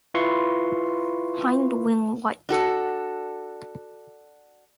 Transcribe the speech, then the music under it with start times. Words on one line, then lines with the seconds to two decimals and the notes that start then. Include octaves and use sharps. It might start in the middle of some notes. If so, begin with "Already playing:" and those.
Hind wing white.
0.14 E4 F4 B4 C6 C#6
2.49 D4 F#4 A4